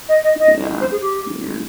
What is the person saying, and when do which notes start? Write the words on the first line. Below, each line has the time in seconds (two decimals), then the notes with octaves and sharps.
Yeah. Yeah.
0.09 D#5
0.24 D#5
0.40 D#5
0.81 C5
0.91 G#4
1.01 G4